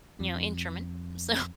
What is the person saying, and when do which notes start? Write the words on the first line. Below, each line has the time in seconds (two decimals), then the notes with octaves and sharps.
you know, in German. So,
0.20 F2